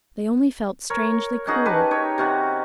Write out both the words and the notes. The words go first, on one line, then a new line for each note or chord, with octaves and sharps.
They only felt strangely cool!
A#4 C#5
C#4 D#4 F#4 G#4
G4 B4 A5
D#4 C#5
C3 C#4 F#4